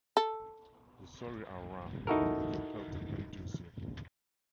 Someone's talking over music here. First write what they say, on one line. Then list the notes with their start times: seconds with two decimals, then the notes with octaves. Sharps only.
The sori are round, with a peltate indusium.
0.17 A4
2.07 D#4 E4 F#4 A4 A#4